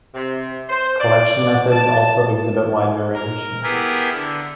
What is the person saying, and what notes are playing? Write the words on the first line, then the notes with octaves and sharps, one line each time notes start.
Collection methods also exhibit wide variation.
C3
C5
D5
A5
A#4
B3 E4 G4 G#4 A#4
D3